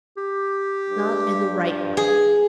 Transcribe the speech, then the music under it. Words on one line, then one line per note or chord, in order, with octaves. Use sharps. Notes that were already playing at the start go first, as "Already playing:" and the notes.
'Not in the right way.
G4
G2
G#4